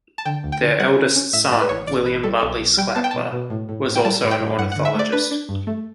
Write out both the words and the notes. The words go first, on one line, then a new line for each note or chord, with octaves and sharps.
Their eldest son, William Lutley Sclater, was also an ornithologist.
A5
D3 G5
D2
G5
D3
G3 F#5
C#4
C#4
A2 E5
A2 D5
B4
A1 C#5
A1 D5
A1 B4
G3 A4
B1 A4
B1
G3 G5
B3 A5
G5
B2 A5
B2
A2
A2
A2
G5
G3 A5
A2
G5
A2
G2 F#5
D3 F#5
E5
A3 D5
D4 B4
D4
G2
A3